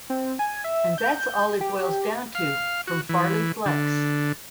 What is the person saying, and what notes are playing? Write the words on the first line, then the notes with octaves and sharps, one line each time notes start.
And that's all it boils down to, from Farley Flex.
C4
G#5
E5
G6
G4
F5
F#4
E3
D3